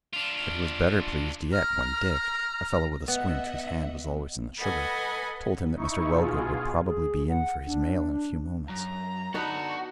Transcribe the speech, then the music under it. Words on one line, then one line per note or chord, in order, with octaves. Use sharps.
But he was better pleased yet when Dick--a fellow with a squint whose hand was always in the sugar--told him that Mr. Wellgood would probably be in for his mail in a few moments.
D4 F4
A#5 F6
B3 D#5 E5 F#5
A4 B4 D#5 F#5 G#5
D#4 E4 C#6
B2 F4 G#4
G#4
F#5
D4
F#2 A#5
B3 D4 D#4 F#4 A4 B4